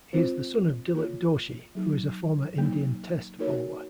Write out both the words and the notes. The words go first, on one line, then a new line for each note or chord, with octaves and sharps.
He is the son of Dilip Doshi, who is a former Indian Test bowler.
G#3 C4 F4 C5
A#3 F4 G#4 C#5
F#3 A#3 D#4 G#4
F#3 A#3 D#4
A#3 D#4 F#4 A#4 C#5